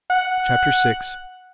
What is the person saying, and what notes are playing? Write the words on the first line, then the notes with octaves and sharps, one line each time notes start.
Chapter VI.
F#5